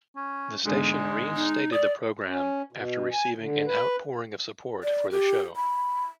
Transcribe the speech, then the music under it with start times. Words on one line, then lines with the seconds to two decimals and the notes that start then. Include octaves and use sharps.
The station reinstated the program after receiving an "outpouring of support" for the show.
0.16 C#4
0.65 E2 G#2 D3 G#3
1.36 D#4
1.72 D5 D#6
2.26 C#4
2.73 B2
3.13 G#5
3.38 D3
3.67 B4
4.83 D5
5.11 G4
5.56 B5